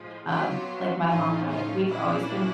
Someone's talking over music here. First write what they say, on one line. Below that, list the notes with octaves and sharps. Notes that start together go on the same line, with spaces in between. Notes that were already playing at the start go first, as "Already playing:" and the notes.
um, like, my mom and I, we've always been
Already playing: A2 F3 G#3
B2 F#3 B3 F4 G4
A2 F3 A3 C#4 D#4 F4
D#4 F4
A#2 F3 A#3 C#4 D4 E4